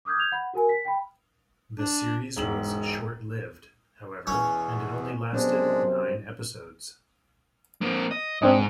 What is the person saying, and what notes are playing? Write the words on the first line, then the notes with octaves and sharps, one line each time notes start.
The series was short-lived, however, and it only lasted nine episodes.
D6 D#6 F6 G6 G#6
G6 G#6 F7
F#5 B5
F#4 A#4 G#5
B6
G5 B5
D4
E1 E2 G#2 F#7
G#3
E2 B2 C#4
F#2 C3 G#3 B3 D4 C5
A#3 C4
D#5
G#2 C4 D4 D#5